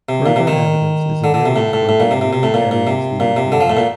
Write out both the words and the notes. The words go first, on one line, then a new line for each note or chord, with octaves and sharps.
Further evidence is available for the Malay areas near Brunei.
C3
A#2
C3
D#3
D3
D3
C3
A2
A2
A2
A#2
C3
C3
C3
A2
A#2
A#2
C3
A#2
C3
D3
F3
A2
A#2